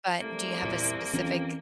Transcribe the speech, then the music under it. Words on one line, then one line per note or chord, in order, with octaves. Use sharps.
but do you have a specific
C2 A3 A#3
E2 A#2 E4
F2 E3 C4 C#4